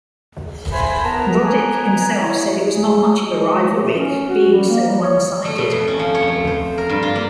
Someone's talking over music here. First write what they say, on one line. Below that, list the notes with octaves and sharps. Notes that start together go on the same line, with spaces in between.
Roddick himself said it was not much of a rivalry, being so one-sided.
C5 E5 G#5 B5
B3 A#4 A5 A#5
G#5 A#5
E4 C#5
G#4
G#3
A3
C#4
F#4
G3
A#3
G3
C#5
A3
B2
F2
C#4
F3
C#5
A3
C5
A#4
G2
F4
A#3